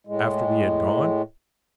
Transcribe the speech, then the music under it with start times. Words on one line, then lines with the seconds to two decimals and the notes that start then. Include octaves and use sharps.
"After we had gone?"
0.07 A2 G#3